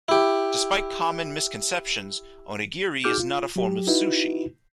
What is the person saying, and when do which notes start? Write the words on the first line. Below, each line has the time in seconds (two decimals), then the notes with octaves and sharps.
Despite common misconceptions, onigiri is not a form of sushi.
0.08 E4 G4
3.04 D#4 F#4 G#4 D6 F6 G6
3.20 F4
3.56 F#3 G4
3.87 D#4 E4 F#4 B4